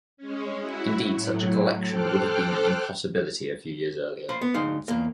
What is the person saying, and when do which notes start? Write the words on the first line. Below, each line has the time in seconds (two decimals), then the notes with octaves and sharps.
Indeed such a collection would have been an impossibility a few years earlier.
0.17 G#3 C#4
0.59 E4 F#4
1.13 A2 F#3
1.87 A4 C5 G5 D6 F6 F#6
4.29 C5 F5 B5
4.42 B3
4.54 D2 G#3 D#4 F5
4.88 E2 A#3